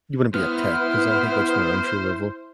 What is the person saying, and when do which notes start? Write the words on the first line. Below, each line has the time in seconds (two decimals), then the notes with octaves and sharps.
you wouldn't be a tech 'cause I think that's more entry level.
0.34 B3 E4 C5 F6